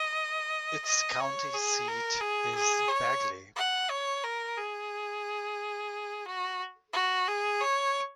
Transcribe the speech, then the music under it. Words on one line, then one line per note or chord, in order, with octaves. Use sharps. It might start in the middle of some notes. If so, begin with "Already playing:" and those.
Its county seat is Bagley.
Already playing: D#5
D#5
C#5
G#4
A#4
G#4
G#4
C#5
F#5
C#5
A#4
G#4
F#4
F#4
G#4
C#5